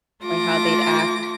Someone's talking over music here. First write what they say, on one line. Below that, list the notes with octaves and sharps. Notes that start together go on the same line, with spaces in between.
like, how they'd act.
A3 F4 D6 A#6